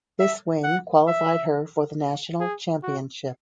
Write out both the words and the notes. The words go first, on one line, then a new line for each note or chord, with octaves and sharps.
This win qualified her for the national championship.
E5
F#5
E5
G#4
F#4